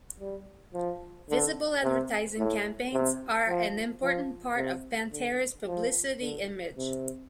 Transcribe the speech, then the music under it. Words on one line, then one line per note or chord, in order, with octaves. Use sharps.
Visible advertising campaigns are an important part of Pantteri's publicity image.
G3
F3
D3
C3
A2
C3
F3
F3
C3
D3
F3
D3
C3